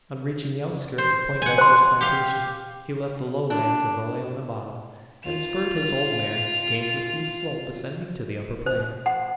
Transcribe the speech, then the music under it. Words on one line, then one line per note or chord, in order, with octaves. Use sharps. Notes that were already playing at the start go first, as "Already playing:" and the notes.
On reaching the outskirts of Poindexter's plantation, he left the low lands of the Leona bottom, and spurred his old mare 'gainst the steep slope ascending to the upper plain.
C5
F#5 G#5
C5 C6
G4 F5
D4
F4 F7
C5
F#5